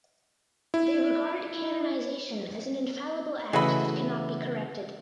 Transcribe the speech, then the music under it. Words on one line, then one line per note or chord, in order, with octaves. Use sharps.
They regard canonization as an infallible act that cannot be corrected.
E4
C#3 E3 A3 F#4 G#4 D#5 E5 B5